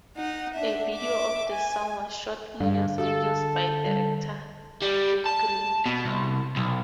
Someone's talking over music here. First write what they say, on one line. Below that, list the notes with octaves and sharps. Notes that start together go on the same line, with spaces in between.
A video of the song was shot in Los Angeles by director Gil Green.
D#4 F#5
D4 E5
E5 D6
G#5
G2 D3 G3 F5
F#4 G4 A4 F5
G3
G3
A5
B2
C2
B1